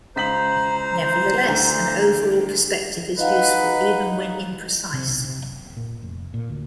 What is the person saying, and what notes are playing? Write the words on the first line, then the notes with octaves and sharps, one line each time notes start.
Nevertheless, an overall perspective is useful even when imprecise.
C#2 C5 A#5 B6 F#7
D2
D#4 B4 D#5 F5 F#5
C3
B1
C3
F#1
A#2
F1
A#2
D2